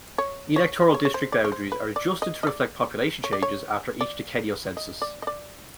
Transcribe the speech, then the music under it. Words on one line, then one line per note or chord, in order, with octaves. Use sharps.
Electoral district boundaries are adjusted to reflect population changes after each decennial census.
C#5
C#5
C#5
C#5
C5
D5
C#5
C5
B4
D5
D#5
D#5
D5
C#5
D5
C#5
D5
D#5
D5
D#5
D5